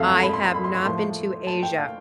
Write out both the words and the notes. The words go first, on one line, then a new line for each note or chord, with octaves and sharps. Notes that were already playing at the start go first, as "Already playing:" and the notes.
I have not been to Asia,
Already playing: F2 D3 F3 A3 E5 F5
A5
B5
C6
C6
B5
C6
C6
A2 F3 A3 C6
A5
G5
F5